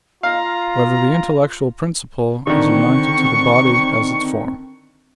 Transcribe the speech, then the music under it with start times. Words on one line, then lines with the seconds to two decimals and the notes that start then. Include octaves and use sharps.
Whether the Intellectual Principle Is United to the Body As Its Form?
0.23 F4 F5 A#5
2.47 D3 D#3 C4 C#6